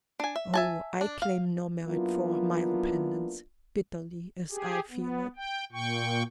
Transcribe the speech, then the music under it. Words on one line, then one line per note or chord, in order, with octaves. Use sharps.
Oh, I claim no merit for my repentance, bitterly as I feel it!
D4 G#5
E5
E5 G#5 A5
D4
F5
F#3 A#3 B3 D4 E4 F4
G4 G#4
B3
G5
A#2 G5 C#6